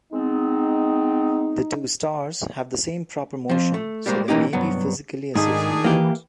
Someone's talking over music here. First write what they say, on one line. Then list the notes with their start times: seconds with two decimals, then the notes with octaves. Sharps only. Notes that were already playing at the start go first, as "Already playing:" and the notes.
The two stars have the same proper motion, so they may be physically associated.
0.13 G#3 B3 C4 D#4
3.49 F3 C4
3.74 A3
4.06 G3 G#3 A#3 C5
4.28 B2 E3 A#3 C#4 D#4 G4
4.53 C2 G2 F#3 B3
5.35 G#2 D#3 A3 D4 G#4
5.84 E3 A#3 G4